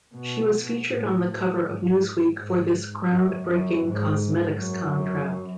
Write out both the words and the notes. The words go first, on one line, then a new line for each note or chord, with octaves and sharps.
She was featured on the cover of Newsweek for this ground-breaking cosmetics contract.
B2
A2
G#2
G#2
F#2
F#2
G#2
F#2